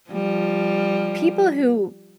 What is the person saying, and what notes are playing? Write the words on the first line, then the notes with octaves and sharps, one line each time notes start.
people who
F3 G3